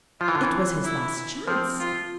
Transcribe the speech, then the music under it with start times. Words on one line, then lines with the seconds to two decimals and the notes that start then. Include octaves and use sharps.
It was his last chance.
0.20 F3 F4
0.28 E3
0.35 D3
0.44 E3
0.84 E4
1.48 F3 C4
1.80 F4